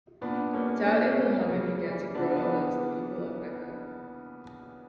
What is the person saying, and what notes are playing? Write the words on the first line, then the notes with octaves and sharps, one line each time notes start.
Doubt in Muhammad began to grow amongst the people of Mecca.
A#2 B3 D4
G3 A#3 C#4
A#2 A#3 C#4
G3
C#3
E3 G3
C#3 B3 D4
B3 D4